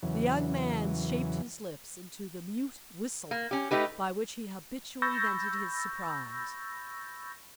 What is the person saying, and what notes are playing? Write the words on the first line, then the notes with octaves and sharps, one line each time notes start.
The young man shaped his lips into the mute whistle by which he habitually vented his surprise.
E2 C#3 E3 F#3
A#3
C#4 G4
A3 D#4 G4 B4
B5 C#6 E6 G6 A6 A#6